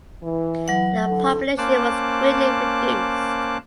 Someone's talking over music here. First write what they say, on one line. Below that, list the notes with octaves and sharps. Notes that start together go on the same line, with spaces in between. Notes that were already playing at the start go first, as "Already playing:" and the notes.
The population was greatly reduced.
E3
F#3 F#5
D3 E3 A4
A#3 C#4 C5 A5 D6 F#6